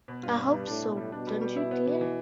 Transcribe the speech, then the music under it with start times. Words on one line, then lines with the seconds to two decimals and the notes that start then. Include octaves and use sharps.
I hope so; don't you, dear?
0.08 B2
0.22 G2 F4
0.37 B2
0.52 G3
0.67 A2 D4
0.82 B2
0.97 G3
1.12 B2 D4
1.27 G3
1.41 G3
1.56 E4
1.71 B3
1.86 E3
2.01 E3